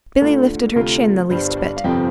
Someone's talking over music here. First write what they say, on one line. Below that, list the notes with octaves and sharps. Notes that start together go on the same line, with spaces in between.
Billy lifted her chin the least bit.
D2 D3 A3 F4 A4
D2 C3 A3 F4
G1 G2 G3 D4 C5
D5
F5
G1 F2 C3 F3 C4 G5